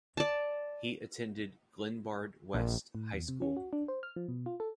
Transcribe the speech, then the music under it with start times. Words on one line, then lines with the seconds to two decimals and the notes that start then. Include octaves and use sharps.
He attended Glenbard West High School.
0.17 D5 A5
2.54 A#1
2.95 A2
3.14 E2
3.28 C3
3.42 C#4
3.57 F#4
3.73 D4
3.88 C5
4.03 F6
4.16 F3
4.28 B2
4.46 F4
4.60 A4